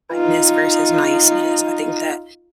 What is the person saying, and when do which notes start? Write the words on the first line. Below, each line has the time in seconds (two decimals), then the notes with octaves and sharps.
kindness versus niceness. I think that
0.12 D#4 F4